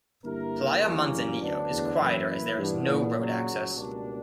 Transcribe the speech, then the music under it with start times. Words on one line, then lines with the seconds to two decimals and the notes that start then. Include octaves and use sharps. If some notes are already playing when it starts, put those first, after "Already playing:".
Playa Manzanillo is quieter as there is no road access.
0.24 G2 D3 A#3 E4 G4 A#4
0.83 E2 E3 G3 A#3 C#4
1.11 F#2
1.41 D2 D3 F#3 B3 D4
1.70 E2
1.99 F#2 E3 A#3 E4 B4
2.58 G2 E3 B3 D4
2.87 A#2
3.16 F#2 C#3 F#3
3.75 C#2 B2 G3 A#3 D4